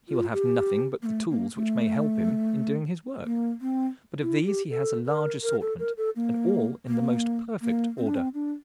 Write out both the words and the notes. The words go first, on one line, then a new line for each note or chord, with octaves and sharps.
He will have nothing but the tools which may help him in doing his work, but of these he has a large assortment, and all in the most perfect order.
F4
G4
A#3
A3
A#3
A3
A#3
C4
E4
G4
A4
A#4
A#4
A4
A#4
A4
A#3
A#3
A#3
C4
D4
C4
D4